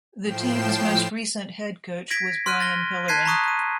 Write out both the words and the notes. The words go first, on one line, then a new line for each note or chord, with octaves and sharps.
The team's most recent head coach was Brian Pellerin.
A2 F3 G5 C7 E7
G#6 A#6 B6 D7
C6 F6 F#6 D#7
A6 A#6 G7
A5 F#6 G#6 B6 C7 D#7
A#5 B5 C#6 D#6 F#6
D#7